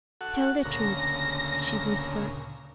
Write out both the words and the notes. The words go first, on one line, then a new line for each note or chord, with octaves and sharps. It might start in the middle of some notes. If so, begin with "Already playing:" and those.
"Tell the truth," she whispered.
F#4 A4 F#5
D2 A#2 C#3 A#6